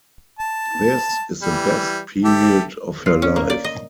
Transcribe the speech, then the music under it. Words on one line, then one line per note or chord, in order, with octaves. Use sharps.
This is the best period of her life.
A5
E3 G3
G4 A4 E5
F4
C#4
A#3
D5
D#5